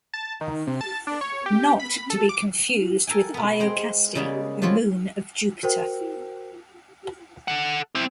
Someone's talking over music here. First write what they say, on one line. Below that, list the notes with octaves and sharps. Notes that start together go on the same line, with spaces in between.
Not to be confused with Iocaste, a moon of Jupiter.
A5
D#3
C3
A5
D4
C#5
G4
B5
A4
D6
A4 A#4 G5 G#5
B2 B3
G#3 C5 G5
C#3 G3 G#3 A#3 B3
F3 B3 C4 F4 C#5
F#4 A#4 C5 G5
A4 F#5
C4 E4